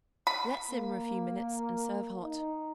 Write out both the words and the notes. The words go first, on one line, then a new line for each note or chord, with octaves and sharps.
Let simmer a few minutes and serve hot.
B5
A#3
D#4